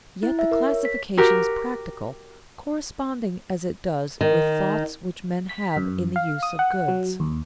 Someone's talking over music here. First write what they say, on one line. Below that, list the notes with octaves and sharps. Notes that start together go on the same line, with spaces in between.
Yet the classification is practical, corresponding as it does with thoughts which men have in the use of goods.
E4
E5
A#4
C#5
B6
F#4 G4 A#4
D#3
B6
F#2
F5
D#6
F#5
F#3
D#2